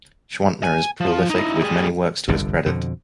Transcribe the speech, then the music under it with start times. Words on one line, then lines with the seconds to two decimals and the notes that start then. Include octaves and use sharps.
Schwantner is prolific, with many works to his credit.
0.63 G#5
1.00 F3
1.30 D#4 E4
1.63 G3 G#4
2.28 G1 C2 F2 D3
2.66 F2 B2 D3